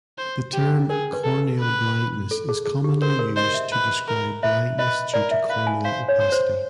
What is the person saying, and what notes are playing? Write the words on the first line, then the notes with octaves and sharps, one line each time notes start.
The term "corneal blindness" is commonly used to describe blindness due to corneal opacity.
C5
G4
G#4 A#4
B4
A4
B4
A4
G#4
G#4
G4
A#4 C5
A#4
C5 D#5
E5
B4
A#4
B4 E5
B4 D#5
A#4 D5
E5
B4 F5
G#5
C5 F5
C#5
C5
C5